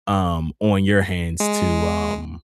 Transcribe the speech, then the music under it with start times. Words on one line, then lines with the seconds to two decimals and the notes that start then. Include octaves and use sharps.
um, on your hands to, um,
1.40 G#3